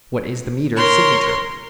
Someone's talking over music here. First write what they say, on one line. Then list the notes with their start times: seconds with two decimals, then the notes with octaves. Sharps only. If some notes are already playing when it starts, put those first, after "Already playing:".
"What is the meter-signature?"
0.75 A#4 C#5 C6